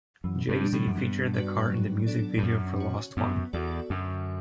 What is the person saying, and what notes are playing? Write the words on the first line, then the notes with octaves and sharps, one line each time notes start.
Jay-Z featured the car in the music video for "Lost One".
F#2 E3
G2
G3 D4
A2
F#2
G2 B3
F#4 B4 D5
F#3
B3 D4 A4 D5
G2
F#2 C#4
F#4 C#5
F#2 B3
E2 F#4 A4 D5
F#2 D3